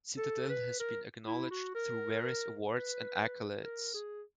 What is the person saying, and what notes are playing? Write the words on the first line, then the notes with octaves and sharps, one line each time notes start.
Citadel has been acknowledged through various awards and accolades.
A4
B4
A#4
E4
F#4
A#4
B4
A#4
G#4